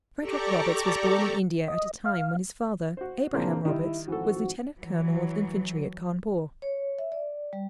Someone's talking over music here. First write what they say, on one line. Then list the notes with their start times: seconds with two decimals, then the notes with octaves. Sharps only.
Frederick Roberts was born in India at a time when his father, Abraham Roberts, was lieutenant colonel of infantry at Cawnpore.
0.21 G4 A4 D5 A#5 C#6 D6
1.68 D#5
2.06 F5
2.97 F#4 C5
3.33 A#2 C#3 E3 A#3 C4 D4
3.65 D#3 G3 E4
4.08 G#1 E3 F3 F#4 A4
4.79 E3 F#3
6.62 C#5
6.99 E5
7.12 D5
7.53 G3